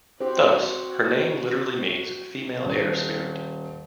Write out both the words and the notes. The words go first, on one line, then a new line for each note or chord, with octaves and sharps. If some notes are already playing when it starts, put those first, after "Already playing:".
Thus, her name literally means female air spirit.
C4 F#4 G4 C5
D#1